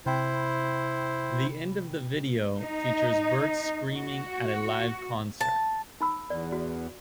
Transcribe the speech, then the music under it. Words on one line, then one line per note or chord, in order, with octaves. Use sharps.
The end of the video features Bert's screaming at a live concert.
C3 E4 C5 G5 B5
D#4
F#4
A5
D#4 B5 E6
E2 D5
F#4